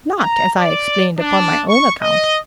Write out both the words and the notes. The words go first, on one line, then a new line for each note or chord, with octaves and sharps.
Not, as I explained, upon my own account.
A#5
D5
D4
C#6
D#5